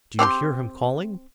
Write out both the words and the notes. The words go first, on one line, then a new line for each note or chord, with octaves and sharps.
Do you hear him calling?
C4 G4 F5 C6